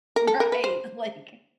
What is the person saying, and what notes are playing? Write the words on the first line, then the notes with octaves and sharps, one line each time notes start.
Right, like
A#4
A4
A#4
B4
C5